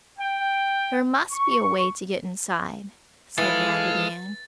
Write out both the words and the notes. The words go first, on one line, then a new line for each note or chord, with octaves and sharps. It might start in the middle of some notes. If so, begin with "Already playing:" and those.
"There must be a way to get inside," said Raggedy Ann.
G5
C#6
E3 G#3 A4 F5 A6